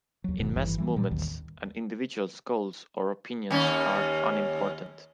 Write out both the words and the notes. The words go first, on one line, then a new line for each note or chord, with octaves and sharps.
In mass movements, an individual's goals or opinions are unimportant.
D#2 F#3
D#1 G#2 B2 D#3
G#1 G2 E3
E3 G3
A#2 G3
A1 D#2 D#3
D#2 C#4